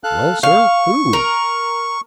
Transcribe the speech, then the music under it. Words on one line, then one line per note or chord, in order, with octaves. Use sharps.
"Well, sir, who?"
A4 F5 F#6
F5 C#6
A#4